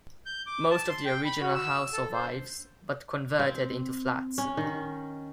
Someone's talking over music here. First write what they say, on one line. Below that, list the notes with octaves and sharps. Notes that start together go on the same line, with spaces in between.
Most of the original house survives, but converted into flats.
G6
D6
A5
C6
G5
B5
F#4
E6
A4
C5
C4
C#4
D#3